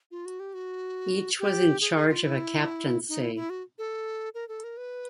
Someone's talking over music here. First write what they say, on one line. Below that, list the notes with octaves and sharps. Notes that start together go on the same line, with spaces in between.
Each was in charge of a captaincy.
F4
F#4
G4
F#4
G4
G#4
G#4
F4
E4
D#4
E4
E4
F#4
A4
A#4
A4
A#4
B4